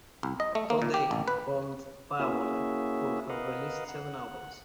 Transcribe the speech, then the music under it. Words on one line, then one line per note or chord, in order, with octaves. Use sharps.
Tod A formed Firewater, who have released seven albums.
C2
D#5
A3
A#3
A#2
G4
A1
B4
A#3 C#4 E4 F#4 G#4 E5
A#4 B4 D#5 F5 F#5
F#5